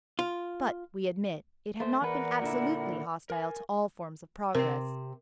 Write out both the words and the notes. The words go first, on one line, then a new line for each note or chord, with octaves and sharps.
But, we admit, it had not been absolutely hostile to all forms of progress.
F4
A3 C5
E2 A#4 B4 D5 F#5
A#2 D3 E4
A#4 G#5
C3 C4 A#4